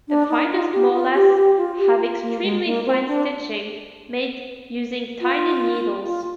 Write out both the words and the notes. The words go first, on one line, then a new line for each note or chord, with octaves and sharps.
The finest molas have extremely fine stitching, made using tiny needles.
D4
D#4
F4
G4
F4
G4
G4
F4
G4
F4
A#3
G#3
A#3
C4
D4
F4
F4